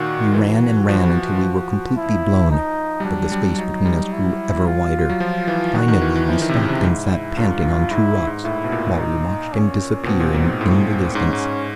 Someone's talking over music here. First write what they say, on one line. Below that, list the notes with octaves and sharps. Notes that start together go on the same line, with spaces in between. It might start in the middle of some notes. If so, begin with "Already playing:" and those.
We ran and ran until we were completely blown, but the space between us grew ever wider. Finally we stopped and sat panting on two rocks, while we watched him disappearing in the distance.
Already playing: A#2 D#3 F#4
E3 F#4
F3
F3
E4
D#4
G3
F#3 D4
G3
F#3 D#4
G3
E4
F4
F#3
F3
E3
D#3 F#4
D#3
E3
E3
F3 E4
D#3
C3
C#3
C3
G#2
G2 F4
G#2 E4
G#2
A2 E4
B2
A#2
D#4
C#4
A#2
B2 C4
A#2
G#2
G#2
A2
G#2 C#4
G#2